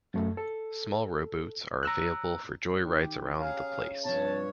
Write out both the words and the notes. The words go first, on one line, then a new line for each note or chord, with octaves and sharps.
Small row boats are available for joy rides around the place.
F#2 A3
A4
A#5 E6 F#6
D#3 G4
C#3 G4 G#4 F5 A#5
G2 C3 F3 C#5 A5